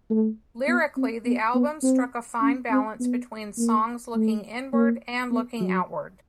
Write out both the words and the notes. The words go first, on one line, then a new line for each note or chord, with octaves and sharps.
Lyrically the album struck a fine balance between songs looking inward and looking outward.
A3
B3
C4
B3
B3
C4
C#4
C4
B3
A#3
A3
A#3
B3
F#3